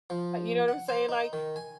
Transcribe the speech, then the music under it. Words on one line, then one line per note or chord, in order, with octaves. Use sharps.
you know what I'm saying, like,
F3
F#5
C5
D#4
D#3
G#5